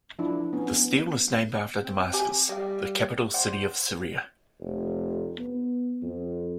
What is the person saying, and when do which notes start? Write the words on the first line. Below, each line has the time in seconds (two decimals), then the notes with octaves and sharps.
The steel is named after Damascus, the capital city of Syria.
0.19 F3 D4 E4
0.53 B3 C#4
1.84 C4
2.13 G4 E5 G#5
2.49 G3 D#5 F5
3.34 C5 D5 F#5 G5
4.60 F1
5.38 B3
6.02 F2